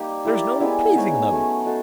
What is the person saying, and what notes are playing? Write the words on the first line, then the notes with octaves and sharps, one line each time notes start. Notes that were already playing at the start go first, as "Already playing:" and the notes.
There's no pleasing them!'
Already playing: G3 A#3 D#4 G4
E4 G4 A#4 D5
G#3 B3 E4
B3 D#4 G#4 C#5
F#3 A3 C#4
D#4 F#4 A4 C5